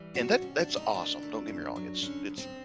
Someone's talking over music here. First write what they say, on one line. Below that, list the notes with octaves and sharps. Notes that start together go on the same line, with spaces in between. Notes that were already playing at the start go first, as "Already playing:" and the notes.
And that that's awesome. Don't get me wrong. It's it's,
Already playing: E3 G3
C3 F#4
C3 C#4
D4
A3
D#4
D#3 D4
A3
F#2
F#3
D3 C#4
D2
C4